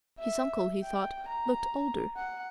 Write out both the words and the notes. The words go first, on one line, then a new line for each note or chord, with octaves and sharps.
His uncle, he thought, looked older.
E5
G5
A#5
F#5